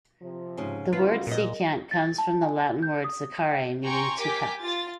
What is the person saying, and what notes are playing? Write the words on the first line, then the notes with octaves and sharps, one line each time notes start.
The word "secant" comes from the Latin word "secare", meaning "to cut".
C3 F3
G#2 C#3
C#3 F#3 B3 E4 F4 B4
A#2 A#4 D#5
A6
A5
G#5
G6
D#6
G5
G5 G#5 A#5 C6 C#6
G4 A#4 G5 G#5 D6 B6
F4 A6